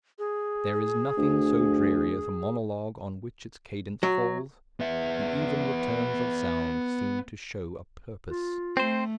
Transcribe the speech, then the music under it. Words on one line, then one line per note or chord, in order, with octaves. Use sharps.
There is nothing so dreary as a monologue on which its cadence falls. The even returns of sound seem to show a purpose.
G#4
D2
F#3
B3 E5
F4
A3 C4 C5